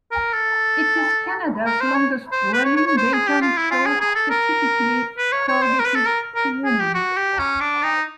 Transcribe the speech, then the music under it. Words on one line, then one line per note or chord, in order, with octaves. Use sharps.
It is Canada's longest running, daytime show specifically targeted to women.
A#4
A4
A#4
C5
C#5
C5
B4
C#5
C#5
C#5
C5
G#4
G4
F4
E4
F4
G#4
G#4
A4
A#4
B4
C#5
C#5
C5
A#4
B4
A4
A#4
A#4
G#4
G4
F#4
G4
C#4
D4
D#4